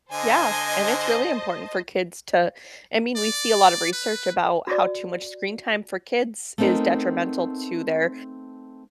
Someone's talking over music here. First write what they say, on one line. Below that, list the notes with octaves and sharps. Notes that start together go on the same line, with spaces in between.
Yeah, and it's really important for kids to I mean, we see a lot of research about how too much screen time for kids is detrimental to their
D3 C5 D#5 G#5 A5
D5
B4
F#4 D5
A3 B3 C4 D#4 A#4